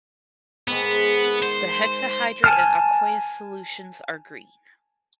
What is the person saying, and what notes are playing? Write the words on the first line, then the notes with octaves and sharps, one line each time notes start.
The hexahydrate and aqueous solutions are green.
G#2 D#3 G#3 B3
C5
G#5 A5 F6